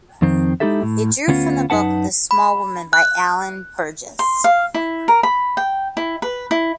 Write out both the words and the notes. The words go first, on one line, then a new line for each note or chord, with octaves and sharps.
It drew from the book "The Small Woman", by Alan Burgess.
F2 D#3 C4
G#3 D#4 E4 G4 A4 E5
A2
D2 B3 C#4 F4
F#2 D#4 B4 F#5 A5
B5
F#6
C6
F5
E4
A#4
B5
G5
E4
B4
E4